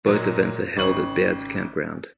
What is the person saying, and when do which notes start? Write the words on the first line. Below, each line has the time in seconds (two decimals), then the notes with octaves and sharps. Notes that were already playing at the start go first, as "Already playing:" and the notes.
Both events are held at Baird's Campground.
0.06 A#2 F#3 G#3
0.77 G#1 C#3 C#6 F#7